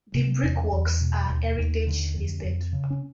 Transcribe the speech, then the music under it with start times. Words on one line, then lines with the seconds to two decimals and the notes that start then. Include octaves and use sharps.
The brickworks are heritage-listed.
0.14 C3
0.43 E2 C#4
0.72 E2
1.01 B2
1.29 D#2
1.58 D#2
1.87 D3
2.15 F2
2.44 F2
2.73 C#3
2.90 C#4